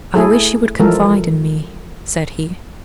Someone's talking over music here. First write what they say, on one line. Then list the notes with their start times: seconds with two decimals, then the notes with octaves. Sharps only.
"I wish you would confide in me," said he.
0.15 A3 E4 G#4 A4
0.80 E3 F3 G#3 A4 A#4